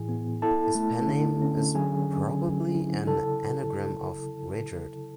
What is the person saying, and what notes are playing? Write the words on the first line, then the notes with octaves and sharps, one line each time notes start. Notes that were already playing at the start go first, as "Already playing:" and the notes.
His pen name is probably an anagram of Richard.
Already playing: A2 E3 E4 G#4 G#5
B3
E4 A4 A5
A3
D3
C#4
F#3 G#4 G#5
C#4
F#3
E4
C#3 A4 A5